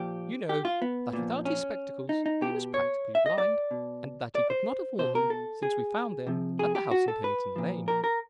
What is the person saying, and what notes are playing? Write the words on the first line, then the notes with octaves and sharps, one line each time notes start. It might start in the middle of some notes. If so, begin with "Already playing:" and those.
You know that without his spectacles he was practically blind, and that he could not have worn them since we found them at the house in Kennington Lane.
Already playing: A#2 F3 G4
G4
F4
B3
A#2 F3
C#4
D#4
D#4
B2 G4
C#5
E5
D#5
D5
B2
D5
C5
B2 C5
A#4
A4
G#4
C3 F3
G#4
G4
F#4
A4
B4
A#2 F3
A#4
A#4